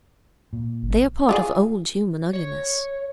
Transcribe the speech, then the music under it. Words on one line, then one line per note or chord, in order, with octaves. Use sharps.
They are part of old human ugliness.
A#2
G1
F4 G4 G#4
C#5